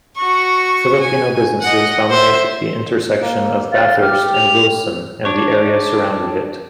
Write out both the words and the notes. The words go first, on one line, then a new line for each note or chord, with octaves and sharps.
Filipino businesses dominate the intersection of Bathurst and Wilson and the area surrounding it.
F#4 C#6
G#5
D#5 F#5
C5 E5
A#3
F5 A6
G4 F6
F7
D4 C#5